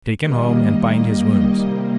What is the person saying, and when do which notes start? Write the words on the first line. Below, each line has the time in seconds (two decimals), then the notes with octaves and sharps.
Take him home and bind his wounds.
0.21 D#3 G3 A#3 D#5
0.89 D#5
1.57 C3 G3 A#3